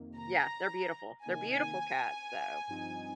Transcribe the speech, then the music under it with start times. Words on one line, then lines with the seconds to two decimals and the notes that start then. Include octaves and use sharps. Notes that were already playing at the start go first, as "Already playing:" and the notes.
yeah, they're beautiful. They're beautiful cats, so
Already playing: F2 C3 D#3 A#3
0.17 A#5
1.24 C3 D#3 A#3 D#4 G#5
2.68 G2 F3 C4 D#4